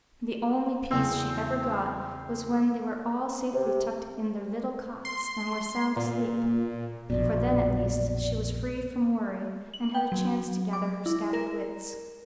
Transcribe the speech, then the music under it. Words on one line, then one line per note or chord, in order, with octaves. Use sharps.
The only peace she ever got was when they were all safely tucked in their little cots and were sound asleep; for then, at least, she was free from worry and had a chance to gather her scattered wits.
E2 C#3 F#3 C4
C3
C6
A#2
A#1 F2 B2 D5
F#7
G5
F#3
D6
E4
A#4